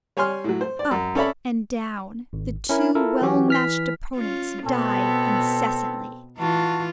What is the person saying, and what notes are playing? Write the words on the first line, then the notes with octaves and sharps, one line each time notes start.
Up and down, the two well-matched opponents dive incessantly.
G3 C#5 G#5 C6 F6
A2 F#3
C5
D5
F#2
C#4 A4 C#5 D5 E5 B5
G#1
C#4 E4 A#4
E4 F4 A4 A#4
E3 F#3 C#4 F#4 G4
E3 F6 B6
C#4 F4
B2 B3 C4 A4
E3 F4 F#4 A5